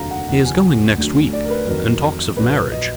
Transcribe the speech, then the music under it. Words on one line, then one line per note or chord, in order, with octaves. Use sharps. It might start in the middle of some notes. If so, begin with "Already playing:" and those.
"He is going next week, and talks of marriage."
Already playing: F1 D#2 D3 F#3 F#4 F5 A#5
F#5
F1 D#2 D3 F3 F#5
G#5
D2 D3 F#3
D5
A#4
B4
F2 D#3 F#3 A#4
A#1 A#2 F#3 B4
D#5